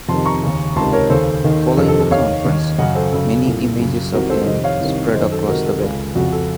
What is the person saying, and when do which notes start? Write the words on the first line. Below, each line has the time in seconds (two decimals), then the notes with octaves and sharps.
Following the conference, many images of him spread across the Web.
0.09 F2 C3 D#3 A5 C6
0.26 A#5 C#6
0.43 D#2 C#3
0.76 C#2 C3 D#3 A5 C6
0.93 A#4 C#5
1.10 D#2 C#3 A4 C5
1.44 D#2 D#3
1.77 F2 C3 D#3 A4
1.88 A4
2.00 A4
2.11 D#2 D#3 C#5 F5
2.45 D#2 D#3
2.78 F#2 C#3 D#5 F#5
2.95 A4 C5
3.12 F#2 C#3 A4
3.46 C2 A#2
3.80 F#2 C#3
4.13 C2 C3 D#3 F#4 A#4
4.30 A4 C5
4.47 F2 C3 D#3 C5 D#5
4.64 C#5 F5
4.80 C2 C3 D#3
5.14 F#2 D#3 C5 D#5
5.32 A4
5.48 C#2 C3 D#3 F#4 A#4
5.65 A4
5.82 C#2 C#3
6.15 F2 C#3 F#4
6.32 A4